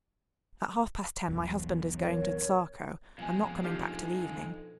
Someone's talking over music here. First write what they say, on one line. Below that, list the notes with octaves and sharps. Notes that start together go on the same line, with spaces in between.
At half-past ten my husband is going to Tsarskoe and not coming back till evening.
E1 B1 E2
A#4 C#5
F2 B2 F3 G#3 G#5
D4 D#4 F4 G4 A4